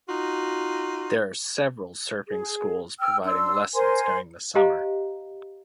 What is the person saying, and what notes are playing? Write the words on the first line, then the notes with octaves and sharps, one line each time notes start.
There are several surfing schools providing lessons during the summer.
D#4 F4 F#4
G#4
G5 E6 F6
D4 C6 E6
A#4 C5 G#5 C6
G4 C5 D#5 F5 G#5 A#5